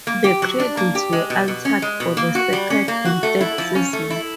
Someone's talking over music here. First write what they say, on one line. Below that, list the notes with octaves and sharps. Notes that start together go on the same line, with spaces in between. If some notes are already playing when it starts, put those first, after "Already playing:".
The credits were altered for the second and third seasons.
A#3
G4
F#3
D4
A#3
G4
G#3
B2
B2
C#4
G#3
B2
A#3
F#4
G3
C#4
A#3
F#4
A3
E4
F3
C#4
A3
E4